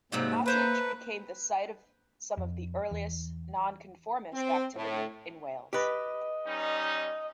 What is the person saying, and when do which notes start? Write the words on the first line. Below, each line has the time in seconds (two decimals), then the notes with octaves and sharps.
Nottage became the site of some of the earliest Nonconformist activity in Wales.
0.12 G#2 C3 F#3 G3 A#3
0.46 A3 B4 C5 A#5
2.37 F2
2.91 E2
4.33 C4
4.75 A2
5.73 G4 B4 D#5
6.46 G3 C#4 D#4